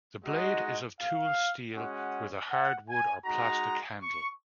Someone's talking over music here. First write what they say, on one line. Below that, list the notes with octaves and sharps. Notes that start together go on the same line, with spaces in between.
The blade is of tool steel with a hardwood or plastic handle.
G#3 D#4 F#4 D#5
F5
G#3 C#4 F#4 F#5
F#5
G#5
G#3 D#4 F#4 A#5
C#6